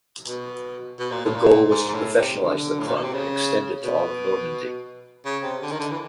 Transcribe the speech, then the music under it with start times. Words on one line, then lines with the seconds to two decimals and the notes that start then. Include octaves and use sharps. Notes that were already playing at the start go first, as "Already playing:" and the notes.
The goal was to professionalize the club and extend it to all of Normandy.
0.28 B2
0.99 B2
1.11 A#2
1.25 A2
1.36 A#2
1.71 G#2
1.88 G#2
1.94 A2
2.18 C3
2.42 D3
2.80 A2
2.88 A#2
2.96 B2
3.04 C3
3.13 C#3
3.84 B2
5.26 C#3
5.43 C3
5.62 D3
5.71 D#3
5.79 D3
5.91 E3